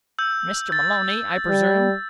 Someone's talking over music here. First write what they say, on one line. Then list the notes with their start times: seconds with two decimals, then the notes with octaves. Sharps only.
"Mr. Maloney, I presume?"
0.19 E6 G6
0.72 A6
1.48 G3